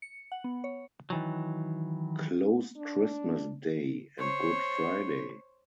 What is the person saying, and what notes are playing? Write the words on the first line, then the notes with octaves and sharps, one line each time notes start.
Closed Christmas Day and Good Friday.
C#7
F#5
B3
C#5
D#3 E3 F#3
D4
C5 C#5